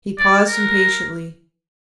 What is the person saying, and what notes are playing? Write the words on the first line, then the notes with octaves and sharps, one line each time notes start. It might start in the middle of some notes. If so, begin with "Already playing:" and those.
He paused impatiently.
D5
A#4